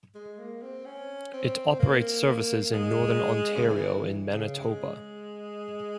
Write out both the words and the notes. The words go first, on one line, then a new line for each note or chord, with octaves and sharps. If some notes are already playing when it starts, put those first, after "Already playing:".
It operates services in northern Ontario and Manitoba.
G#3
A#3
C4
C#4
C4
A#3
G#3
C#3
E3
C#3
G#3